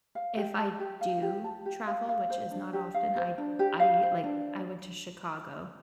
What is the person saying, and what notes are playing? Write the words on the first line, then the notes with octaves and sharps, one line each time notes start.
If I do travel, which is not often, I I, like, I went to Chicago,
F5
G4
A5
G4
F5
G4
A5
G4
F5
F5
C5
D4
G4
F5
C5
D4
G4
F5
C5
D4